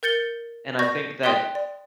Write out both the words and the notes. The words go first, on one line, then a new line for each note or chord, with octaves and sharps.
And, I think that
A#4 G6 A6 C#7 G7
D5 C#6 G6 G#6 A#6
G5 C6 D#6 F#6 B6 G7
D5